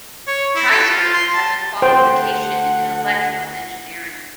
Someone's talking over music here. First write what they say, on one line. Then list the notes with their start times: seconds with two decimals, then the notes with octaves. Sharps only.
Ticehurst has a qualification in electrical engineering.
0.28 C#5
0.55 E4
0.70 A4
0.90 F4
1.14 C6
1.33 A5
1.82 D2 C5 F#5 G5